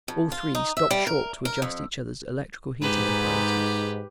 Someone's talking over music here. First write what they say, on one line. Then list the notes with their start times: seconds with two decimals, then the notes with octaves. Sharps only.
All three stopped short to adjust each other's electrical heating apparatus.
0.08 F2
0.32 F4
0.55 D#4
0.77 E5
0.91 G3
1.07 A#4
1.45 A#4
1.62 F2
2.82 G#2 G4 B4